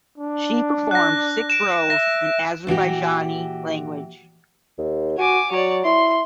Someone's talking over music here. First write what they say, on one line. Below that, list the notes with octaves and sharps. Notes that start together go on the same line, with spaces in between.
She performed six roles in Azerbaijani language.
D4
F#6 A#6
D7 E7
E5 A#6
A#2 E3 F#4 G4
D#2
F#4 G#5 D6
F#3 C#5 D5
E4 C6